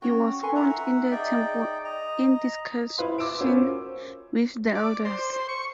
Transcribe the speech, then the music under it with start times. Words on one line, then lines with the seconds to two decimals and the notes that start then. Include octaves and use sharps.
He was found in The Temple in discussion with the elders.
0.02 C#4 F#4 C#5 G5
0.42 A4 B4 G#5 C6 C#6
0.55 D#4 E5 F#5 A#5
1.11 D#4 G#4 D5 E5 G5
1.84 D#5 A#5
2.98 E4 F4 B4 F5 C6
3.18 D6 E6 D7
3.41 C#4 F4 F#4 A#4 C5
4.75 D5
5.05 C5
5.33 C5
5.49 C#6